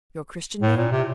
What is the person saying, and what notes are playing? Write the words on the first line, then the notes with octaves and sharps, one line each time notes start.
"Your Christian name?"
A2
A#2
C3